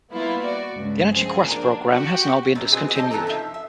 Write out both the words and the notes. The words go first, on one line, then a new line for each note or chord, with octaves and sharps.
The Energy Quest program has now been discontinued.
G3 A#3 B3 E4 F4
F#4 D5
C#2 G2
F3 C4 G#4
A#3 D4
F#4 G4
F#2 B2 G3
G#3 B3 C4 D#4 F#4 G#4
C4 G4 C5 D#5 A5
G2 E3 B3 C4 A4 A#5
F3 D#4 E5
E5